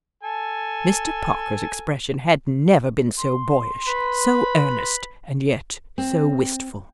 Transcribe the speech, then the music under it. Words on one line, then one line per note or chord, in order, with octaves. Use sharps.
Mr. Parker's expression had never been so boyish, so earnest, and yet so wistful.
A4 G#5
C6
B4 B5
C4